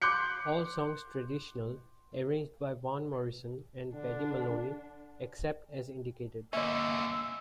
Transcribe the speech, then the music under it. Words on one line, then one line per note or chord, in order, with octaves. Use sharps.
All songs traditional, arranged by Van Morrison and Paddy Moloney, except as indicated.
C6 D6 F#6 G6 C#7
D3 D4
D3 A#3 C#4 D#5 E5 E6